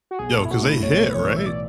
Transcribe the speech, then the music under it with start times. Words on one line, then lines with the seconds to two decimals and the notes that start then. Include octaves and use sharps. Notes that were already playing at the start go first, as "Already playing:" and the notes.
Yo, 'cause they hit, right?
0.11 F#4
0.19 B1 G#4
0.36 A4
0.45 E4
0.51 A2 F#4
0.63 D4
0.67 E4
0.82 B1 C#5
1.10 B4
1.14 E3 C#5
1.36 E5
1.46 D5